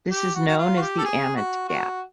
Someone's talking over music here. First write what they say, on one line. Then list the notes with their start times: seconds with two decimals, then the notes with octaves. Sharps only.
This is known as the "amn't gap".
0.11 G4
0.34 F#4
0.48 F#4
0.58 F4
0.77 F#4
0.81 G4
0.98 A4
1.05 G#4
1.36 F#4
1.68 F#4